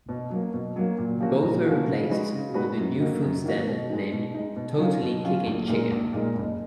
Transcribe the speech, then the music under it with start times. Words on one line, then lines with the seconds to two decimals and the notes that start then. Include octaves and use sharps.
Both were replaced with a new food stand named Totally Kickin' Chicken.
0.09 B2
0.30 F#3 A#3
0.54 B2
0.76 F#3 A#3
0.98 A#2
1.20 F3 A#3 C#4 F#4
1.42 A#2
1.65 F3 A#3 C#4 F#4
1.87 C#3
2.10 G#3 D#4 F#4 B4
2.33 C#3
2.54 G#3 D#4 F#4 B4
2.78 F#2
3.00 D#3 A#3 D#4 F#4
3.23 F#2
3.44 D#3 A#3 D#4 F#4
3.67 B2
3.89 G#3 D#4
4.12 B2
4.34 G#3 D#4
4.56 B2
4.78 F#3 C#4 F4
5.02 B2
5.24 F#3 C#4 F4
5.46 A#1
5.68 A#2 G#3 D#4 A#4
5.91 A#1
6.13 A#2 G#3 D#4 A#4
6.36 F#1